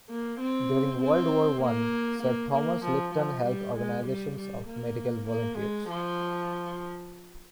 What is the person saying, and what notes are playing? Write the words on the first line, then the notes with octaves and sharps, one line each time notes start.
During World War One, Sir Thomas Lipton helped organizations of medical volunteers.
A#3
C4
C4
A#3
A#3
A#3
F3
F3
G3
G#3
G3
G3
A#3
A#3
G#3
F3